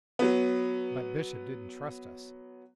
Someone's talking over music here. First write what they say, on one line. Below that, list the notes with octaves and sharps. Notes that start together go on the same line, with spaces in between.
But Bishop didn't trust us.
F#3 B3